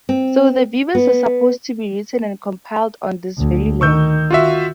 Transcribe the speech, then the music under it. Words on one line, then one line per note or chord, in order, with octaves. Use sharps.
So the Vedas were supposed to be written and compiled on this very land.
C4
B3
D2
D#3 C#6 E6 G6
F4 F#4 E5